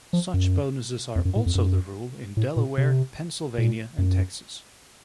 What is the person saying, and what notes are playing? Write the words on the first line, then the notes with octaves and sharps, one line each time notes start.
Such bonuses are also the rule in Delaware, Pennsylvania, and Texas.
F3
F#2
F2
F#2
A2
F2
F#2
A2
A#2
C3
A#2
F#2